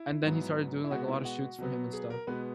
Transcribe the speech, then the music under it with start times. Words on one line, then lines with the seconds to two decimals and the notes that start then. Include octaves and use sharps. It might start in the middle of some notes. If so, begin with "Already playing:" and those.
and then he started doing, like, a lot of shoots for him and stuff,
Already playing: E4
0.22 G#2 F#3 B3
0.84 E4
0.91 B2 G#3 B3 F#4
1.03 F#4
1.08 E4
1.25 F#4
1.58 B2 F#3 B3
1.93 G#4
2.10 A#4
2.27 B2 G#3 B3 B4